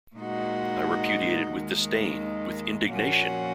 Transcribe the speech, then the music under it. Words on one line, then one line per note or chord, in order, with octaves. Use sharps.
I repudiate it with disdain — with indignation.
A#2 G#3 D#4 F#4
D#2 D#3 G#3
A#2 F3 A#3 C#4 F#4